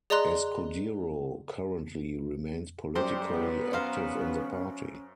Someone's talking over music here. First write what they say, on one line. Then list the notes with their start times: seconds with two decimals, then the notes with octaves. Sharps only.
Escudero currently remains politically active in the party.
0.10 G#4 D5 D#5 A#5 C6 F#6
2.95 F#2 G3 G4 C5
3.32 B3
3.73 C#4 C5 F5 A#5